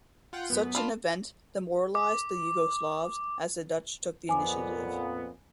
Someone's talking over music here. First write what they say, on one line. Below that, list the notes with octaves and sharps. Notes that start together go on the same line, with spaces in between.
Such an event demoralized the Yugoslavs, as the Dutch took the initiative.
F4 F#5 G5
F#2 B3
D4 F4 B5
D6
F2 A#2 B3 G#5 D6